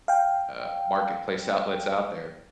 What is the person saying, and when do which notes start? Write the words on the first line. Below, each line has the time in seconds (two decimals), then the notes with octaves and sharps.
uh, marketplace outlets out there
0.08 F5 G5